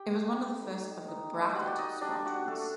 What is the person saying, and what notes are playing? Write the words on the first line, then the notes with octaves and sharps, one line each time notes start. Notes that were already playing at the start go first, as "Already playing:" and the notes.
It was one of the first of the "bracket" squadrons.
Already playing: G4 G5
A3
D#4
D#4
G5
G3 F#4 F#5
D5
D#4 D#5
G3 D4 D5
F#4
A3 D4 A4